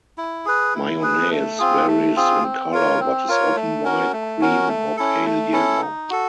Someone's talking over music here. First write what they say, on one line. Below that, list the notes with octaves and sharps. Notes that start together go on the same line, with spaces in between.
Mayonnaise varies in color, but is often white, cream, or pale yellow.
E4
G#4 B4
E4
G#4 B4
A3
C4 F4 G#4
A3
C4 F4 G#4
C4
F4 A#4 C#5
C4
F4 A#4 C#5
A3
C#4 F#4 A#4
A3
C#4 F#4 A#4
A3
C#4 E4 A4
A3
C#4 E4 A4
D#4
F#4 A4